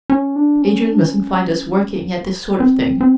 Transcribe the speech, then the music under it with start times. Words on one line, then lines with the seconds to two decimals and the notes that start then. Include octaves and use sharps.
Adrian mustn't find us working at this sort of thing.
0.10 C#4
0.36 D4
0.62 C#4
0.92 D4
1.01 C#4
2.60 C4
3.01 C4